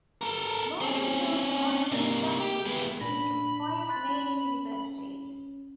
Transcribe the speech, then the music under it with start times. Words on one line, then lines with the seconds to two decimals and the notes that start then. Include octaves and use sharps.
Martin holds honorary doctorate degrees from five Canadian universities.
0.21 A4 A#4
0.81 C4 C#4
1.92 C3 A#3
2.40 G4
2.66 G#3 B3
3.01 A#2 D4 B5 A#6
3.88 C6 F#6 A6
4.09 C#4